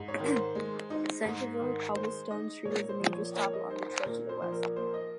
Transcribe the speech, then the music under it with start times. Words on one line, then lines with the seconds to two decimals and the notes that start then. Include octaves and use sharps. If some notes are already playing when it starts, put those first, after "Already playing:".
Centerville's cobblestone street was a major stop along the trail to the West.
Already playing: G#2
0.08 C#5
0.20 D#3
0.32 C5
0.55 G#3
0.90 D#4
1.25 G#2
1.61 D#3
1.95 G#3 C5
2.31 D#4 D#5
2.65 A#2 C#5
2.89 C5
3.00 F3
3.13 C#5
3.36 A#3 C#5
3.53 D#5
3.70 D#4 C5
3.89 C5
4.06 A#2 A#4
4.29 C5
4.41 F3 C5
4.52 A#4
4.76 A#3 C5
4.94 D#5